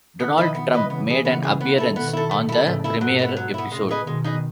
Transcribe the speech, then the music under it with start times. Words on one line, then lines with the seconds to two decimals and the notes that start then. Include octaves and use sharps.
Donald Trump made an appearance on the premiere episode.
0.20 B2 D#3 B3
0.38 E4 B4 D#5
0.55 B3
0.73 E4 B4 D#5
0.90 C#3 E3 B3
1.08 E4 G#4
1.25 C#3 E3 B3
1.43 E4 G#4
1.61 B3
1.78 E4 A4
1.96 B2 D#3 B3
2.13 E4 A4
2.31 A3
2.49 E4 A4
2.66 A2 C#3 A3
2.84 E4 A4
3.01 G#2 B2 F#3
3.19 B3 E4
3.37 F#3
3.54 B3 E4
3.71 A2 C#3 G#3
3.89 D#4 G#4 B4 D#5
4.06 B2 D#3 G#3
4.24 D#4 G#4 B4 D#5